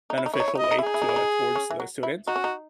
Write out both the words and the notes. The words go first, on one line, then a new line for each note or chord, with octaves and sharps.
beneficial way to, uh towards the student
D#4
E4
D#4
E4 C#5
D#4
E4
D#4
E4 D#5
D#4
E4
D#4 G#4
E4
D#4
E4
D#4
C#4
E3
F#3
E4
D#4 F#4
C#4
D#4